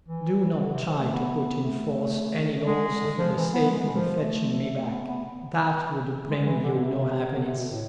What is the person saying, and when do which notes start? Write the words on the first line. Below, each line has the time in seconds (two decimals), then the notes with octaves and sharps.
Do not try to put in force any laws for the sake of fetching me back: that would bring you no happiness.
0.08 E3
0.61 D3
0.74 C3
0.86 F3
0.99 A3
1.12 B3
1.63 A3
2.67 G#3
3.19 F3
3.36 E3
3.53 B3
3.71 G#3
3.84 G#3
3.96 F3
4.22 A3
4.73 A3
4.91 B3
5.08 B3
6.29 G#3
6.46 E3
6.64 D3
6.74 B2
6.80 C3
7.32 D3
7.45 C3
7.57 B2
7.71 A2